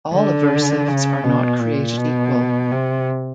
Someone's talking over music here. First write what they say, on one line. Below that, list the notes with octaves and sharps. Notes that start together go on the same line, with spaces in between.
All aversives are not created equal.
D3
C#3
B2
A#2
B2
C3